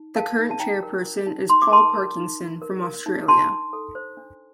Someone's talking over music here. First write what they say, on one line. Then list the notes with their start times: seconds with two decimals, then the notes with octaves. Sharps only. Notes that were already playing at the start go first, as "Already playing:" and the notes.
The current chairperson is Paul Parkinson from Australia.
Already playing: D#4
0.15 A#4 F5 A5
0.39 D#4
0.51 A5
0.60 D#4 G5 A#5
0.83 A#4
1.05 A#4
1.27 D#4
1.50 D#4 C6
1.62 D6
1.72 A#4 A5 C6
1.94 A#4
2.17 D#4
2.39 D#4
2.62 A#4
2.84 A#4
3.06 D#4
3.28 D4 A5 C6
3.50 D4
3.73 A4
3.95 C5
4.17 D4